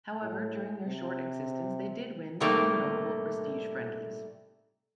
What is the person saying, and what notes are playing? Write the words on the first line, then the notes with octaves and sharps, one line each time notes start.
However, during their short existence they did win two notable prestige friendlies.
A2
C3
A2 C3 D#3 G3 A3 A#3